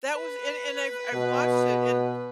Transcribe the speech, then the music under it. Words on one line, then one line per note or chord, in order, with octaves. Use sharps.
That was and and I've I've watched it, and
B4
B2